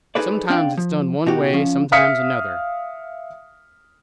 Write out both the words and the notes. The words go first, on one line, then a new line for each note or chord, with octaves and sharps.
Sometimes it's done one way, sometimes another.
D#4 G#4 A4 B4 C5 D5
C4 D4 D5 F5 G5
F3
B2 D#4 F#4 G4
F3 C#4
E5 F5 D#6 F6 B6 C#7